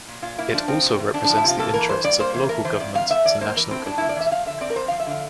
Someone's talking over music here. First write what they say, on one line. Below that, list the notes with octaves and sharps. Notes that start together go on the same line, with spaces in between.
It also represents the interests of local government to national government.
A#2
A#2 F4
A#3 E4
F3 D4
F3 C4
C3
E2
E2 D4
D4
F3
E4
C3 F4
A#3 A4
E3 A#4
G2 C5
G2 D5
A#3 C5
E3 C5
A3 A#4
E3 C5
F2 D5
F2 F5
A3 E5
E3 D5
A#3 C5
E3 A#4
A2 C4
A2 D4
A#3 E4
D5
E3 E5
E5
F3 F5
D3 E5
C4 D5
A#4
F2 C5
F3 F5
E5
D3 F5